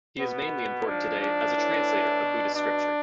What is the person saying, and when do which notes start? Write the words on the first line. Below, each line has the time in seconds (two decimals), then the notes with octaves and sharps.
He is mainly important today as a translator of Buddhist scripture.
0.18 B2 B3
0.86 G#2 F3 D4
1.20 D4
1.54 A2 E3
2.22 B2
2.56 D4